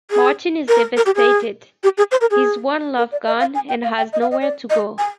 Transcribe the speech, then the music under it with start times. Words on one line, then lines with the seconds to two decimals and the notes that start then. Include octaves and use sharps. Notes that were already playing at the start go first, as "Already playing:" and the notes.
Martin is devastated, his one love gone and has nowhere to go.
0.11 G#4
0.68 A#4
0.97 A#4
1.06 G4
1.16 G#4
1.84 G4
1.98 G#4
2.12 C5
2.21 A#4
2.31 G#4
2.98 A#4
3.12 D5
3.27 D#5
3.40 F5
3.55 G#5
3.69 G5
3.84 F5
3.98 G5
4.13 D#5
4.22 F5
4.31 D#5
4.42 D5
4.70 D#5
4.98 G#5